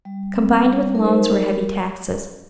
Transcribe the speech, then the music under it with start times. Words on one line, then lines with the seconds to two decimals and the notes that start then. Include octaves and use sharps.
Combined with loans were heavy taxes.
0.05 G3
0.35 C4
0.64 G3
0.95 D#4 A#4
1.05 C5
1.15 A#4
1.24 G3